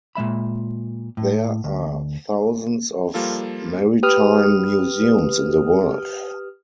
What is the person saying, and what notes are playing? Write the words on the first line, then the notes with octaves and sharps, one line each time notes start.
There are thousands of maritime museums in the world.
A#2 G#3 E5 B5
A2
D2
F3 G3 A#3 F4 A4
G4 B4 D#6 F6